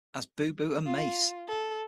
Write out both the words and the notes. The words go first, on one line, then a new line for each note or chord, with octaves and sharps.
As Boo Boo and Mace!
F4
A4